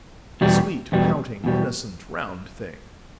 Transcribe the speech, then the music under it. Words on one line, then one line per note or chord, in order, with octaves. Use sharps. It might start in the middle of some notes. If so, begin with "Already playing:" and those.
The sweet, pouting, innocent, round thing!
E2 B2 G3
E2 B2 G3
E2 B2 G3